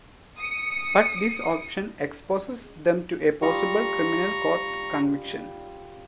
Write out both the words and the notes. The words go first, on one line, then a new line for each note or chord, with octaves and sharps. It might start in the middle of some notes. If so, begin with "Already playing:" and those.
But this option exposes them to a possible criminal court conviction.
D#6 C#7
G3 F4 A#5 C#6 D#6